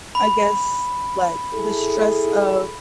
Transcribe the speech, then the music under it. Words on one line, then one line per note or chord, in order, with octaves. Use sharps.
I guess, like the stress of
B5
E4 G#4 A4